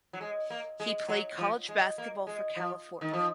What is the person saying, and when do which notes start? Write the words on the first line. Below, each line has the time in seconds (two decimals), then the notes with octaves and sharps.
He played college basketball for California.
0.13 F#3
0.21 G#3
0.50 A#3
0.80 G#3
1.09 F#3
1.38 F3
1.69 G#3
1.98 A#3
2.27 G#3
2.56 F3
3.01 D#3
3.13 F3